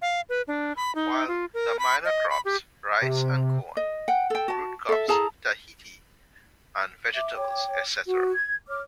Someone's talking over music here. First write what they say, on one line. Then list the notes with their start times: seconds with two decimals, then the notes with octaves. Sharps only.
While the minor products, rice and corn, root crops, Tahiti and vegetables, etc.
0.02 F5
0.29 B4
0.48 D4
0.77 B5
0.95 D#4
1.28 F4
1.54 A#4
1.79 B5
2.05 D#5
2.30 B5
2.45 G4
3.02 C3
3.77 D#5
4.08 F#5 G5
4.30 A4 G5
4.48 F#4 A5
4.89 A4 E5
5.08 E4 G#4 A5 A#5
7.15 E5 D6
7.35 C#5 G5 D6
8.05 F#4
8.32 G#6
8.68 C#5 D6 F6